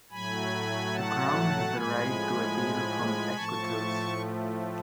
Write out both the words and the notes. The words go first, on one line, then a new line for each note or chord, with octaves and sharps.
The Crown has the right to appeal from acquittals.
A2 F#3 A3 G#5 B5
F#5 A5
A2 F3 G#3 G#5 B5
A2 F3 A3 A5 C#6